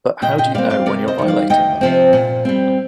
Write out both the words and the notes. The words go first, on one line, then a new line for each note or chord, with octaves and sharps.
But how do you know when you're violating them?
A#2 D#5 G5
D#5 G5
G3 C4 D5 F5
D5 F5
C3 A#4 D5
C5 D#5
D#3 G3
D5 F5
D2 D#5 G5
C3 F3 C4
A#2
G3 C4